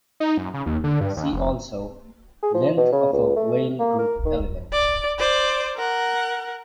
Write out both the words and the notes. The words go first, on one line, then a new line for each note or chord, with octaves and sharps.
See also: length of a Weyl group element.
D#4
F#2
C#3
D#2
D3
G2
D#2
F1
G#4
F3
B2
C#3
C#2
A3
A#3
A#4
D#3
D5
C5 D5
A#4 F#5